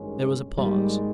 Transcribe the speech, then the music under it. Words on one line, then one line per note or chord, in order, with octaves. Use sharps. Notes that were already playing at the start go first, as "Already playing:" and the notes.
There was a pause.
Already playing: G#1 G2 D#3 G#3 C#4
G#1 G#2 D#3 G3 G#3 A#3